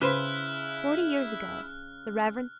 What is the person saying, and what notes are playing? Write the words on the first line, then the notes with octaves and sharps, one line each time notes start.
Forty years ago, the Rev.
C#3 E4 B4 C5 F6 F#6